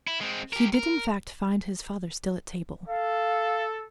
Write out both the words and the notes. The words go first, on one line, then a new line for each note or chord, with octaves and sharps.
He did in fact find his father still at table.
E4
G#3 C4
G4 A#4
A#4
A4 F5